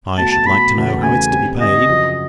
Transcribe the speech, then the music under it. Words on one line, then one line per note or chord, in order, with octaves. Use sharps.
I should like to know how it's to be paid?
B2 F#3 A3 A5
A5
B2 F#3 A3 B5
E2 C#3 F#3 A3
E2 C#3 F#3 A3 G#5
D3 G3 C4
D3 G3 C4 D#5
F#2 C#3 F3